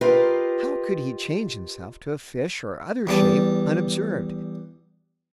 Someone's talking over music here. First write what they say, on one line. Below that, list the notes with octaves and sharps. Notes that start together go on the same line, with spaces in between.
How could he change himself to a fish or other shape, unobserved?
F4 G4 A#4 B4 D#5 F5
E2 G3 A5